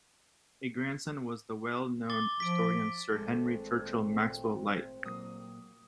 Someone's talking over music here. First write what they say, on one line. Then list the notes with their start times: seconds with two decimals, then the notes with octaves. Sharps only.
A grandson was the well known historian Sir Henry Churchill Maxwell-Lyte.
2.10 D6 A6 G7
2.40 F3 B6 D7
3.16 G#1 A#2 G#3 A3 C4 A4
5.05 A#2 F#3 A#3 D#6